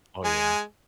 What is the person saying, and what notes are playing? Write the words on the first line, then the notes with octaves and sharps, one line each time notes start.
Oh, yeah.
G#3 G#5